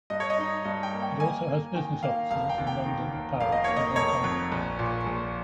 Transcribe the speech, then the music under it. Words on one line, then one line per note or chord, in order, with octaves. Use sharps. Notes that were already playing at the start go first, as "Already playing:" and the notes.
It also has business offices in London, Paris and Hong Kong.
G2 D#5
C#5
D#5
D#4
G2 D#5
G5
A#3
G5
A#3 G#5
A#3
D#3 G5
A#3 F5
F1 F5
G5
D#2
G5
D#3
D#2
F1 F5
D#5
A#3 C#5
D#5
F1 C#5
F2
A#1
A#2
A#1